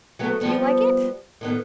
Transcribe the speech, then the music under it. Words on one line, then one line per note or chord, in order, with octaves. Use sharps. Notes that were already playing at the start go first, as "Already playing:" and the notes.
Do you like it?'
F#3 A3 B3
F3 G3 B3
A2 D#3 B3